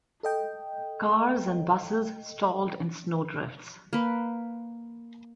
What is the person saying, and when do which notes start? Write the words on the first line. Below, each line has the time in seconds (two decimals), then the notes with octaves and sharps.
Cars and busses stalled in snow drifts.
0.23 A4 D#5 G5
3.93 A#3 B4